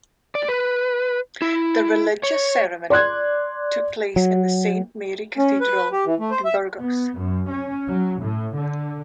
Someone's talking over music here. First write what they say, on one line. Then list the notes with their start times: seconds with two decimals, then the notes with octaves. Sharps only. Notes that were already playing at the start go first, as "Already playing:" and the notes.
The religious ceremony took place in the Saint Mary Cathedral in Burgos.
0.35 D5
0.48 B4
1.42 E4
2.23 C#5
2.90 D5 C6 F#6 G#6
4.16 F#3
5.38 C#4
5.61 B4
5.92 G4
6.06 E3
6.20 A3
6.31 C5
6.45 E5
6.79 B3
7.18 F#2
7.50 C#4
7.88 F#3
8.22 A2
8.56 D3